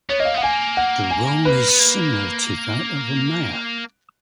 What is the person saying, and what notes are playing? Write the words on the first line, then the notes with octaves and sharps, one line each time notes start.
The role is similar to that of a mayor.
B3 C#5
A#3 D#5
F5
B3
F#5
A#3 G#5
F#5
G#5
B4
B3
A#3